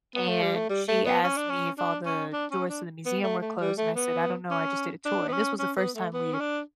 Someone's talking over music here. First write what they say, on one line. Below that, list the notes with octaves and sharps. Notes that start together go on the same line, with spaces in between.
and she asked me if all the doors to the museum were closed, and I said, "I don't know; I just did a tour"- and this was the first time we had
B3
A3
G3
A3
G3
A3
B3
C#4
D4
C#4
D4
C#4
D4
C#4
D4
B3
A3
A3
G3
A3
B3
C#4
D4
B3
C#4
C#4
B3
A3
B3
C#4
D4